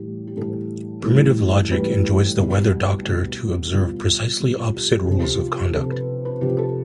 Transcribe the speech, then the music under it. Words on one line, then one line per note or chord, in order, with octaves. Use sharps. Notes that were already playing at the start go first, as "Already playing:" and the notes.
Primitive logic enjoins the weather-doctor to observe precisely opposite rules of conduct.
Already playing: A2 E3 G3 G4
G4
A2 E3 G3 A4
A2 E3 G3 A4
A2 E3 G3 B4
B2 G3
B2 G3
B2 G3 F4
B2 G3 G4
F4
G4
G4
C3 F3 A4
G4
F4
G4
C3 F3 A4
B4
B4
C3 F3 G4
A4